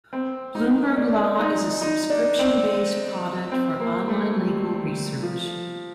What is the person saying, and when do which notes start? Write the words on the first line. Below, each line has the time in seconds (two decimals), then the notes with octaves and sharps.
Bloomberg Law is a subscription-based product for online legal research.
0.13 C4
0.55 D#4
0.97 D4
1.39 D#4
1.82 D#4
2.10 D4
2.39 C4
3.52 C4
3.80 A#3
4.09 A3
4.37 G3
5.22 F3